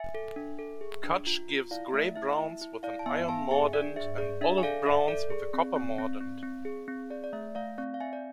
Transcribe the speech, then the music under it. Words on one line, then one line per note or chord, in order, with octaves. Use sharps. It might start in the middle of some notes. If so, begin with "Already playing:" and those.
Cutch gives gray-browns with an iron mordant and olive-browns with a copper mordant.
Already playing: E5 G#5
A4
D4
A4
G#4
D4
F4
F4
E4 D5 F5
A3 E5
E4 E5
E4 E5
E4
E4 D5 F5
A5
B3 E5 G#5
B3 F5 A5
G#4 E5 G#5
D4 D5
G#4 E5
G#4 D5
D4 E5
G#5
A4 D5 F5
A4 E5
A4 D5
G#4
C4
C4
C4
C4
C4
G#4
C4
G#4 D5
D5
A3 E5
A3 D5 F5
C4 D5 F5
F5
C4 E5 G#5
D5